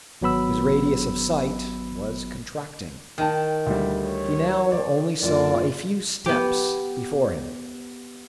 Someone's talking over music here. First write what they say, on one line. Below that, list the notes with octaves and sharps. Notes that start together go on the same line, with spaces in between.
His radius of sight was contracting. He now only saw a few steps before him.
G#1 F#3 B3 B5 E6
D#3 G5 A5
D2 G3
C#5
C5 D5
F#1 F4 D5
B3 G4